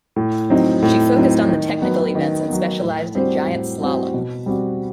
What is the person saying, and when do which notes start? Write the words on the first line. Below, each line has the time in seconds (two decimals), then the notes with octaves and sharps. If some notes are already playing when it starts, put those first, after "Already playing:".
She focused on the technical events and specialized in giant slalom.
0.16 A2
0.50 F#3 C4 D#4
0.82 A2
1.16 F#3 C4 D#4
1.49 D#3
1.82 F#3 B3
2.15 D#3
2.48 F#3 B3
2.82 A2
3.15 G3 C4 F#4 C5
3.47 A2
3.80 G3 C4 F#4 C5
4.14 B2
4.46 G3 C4 F#4